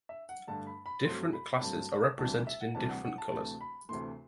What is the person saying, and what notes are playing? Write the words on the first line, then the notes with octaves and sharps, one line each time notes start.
Different classes are represented in different colours.
E5
F#5
G2 D3 A3 A5
B5
B5
G2 F#3 A3 C4 C6
B5
B5
G2 F#3 A3 C4 A5
D2 C3 E3 G3 A5
E5
F#5
D2 C3 E3 G3 A5
F#5
F#5
A5
D2 C3 E3 A3 A5
B5
D2 C3 E3 A3 C6